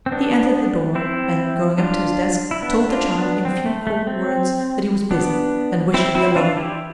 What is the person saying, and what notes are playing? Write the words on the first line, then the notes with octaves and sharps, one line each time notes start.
He entered the door, and going up to his desk, told the child, in a few cold words, that he was busy, and wished to be alone.
C4
B3 D4
C4 E4
D4 F4
E4
B3 D4
D4 F4
B3 D4
C4
A3
A3
C4
B3 D4
C4 E4
C4 E4
D4 F4
E4 G4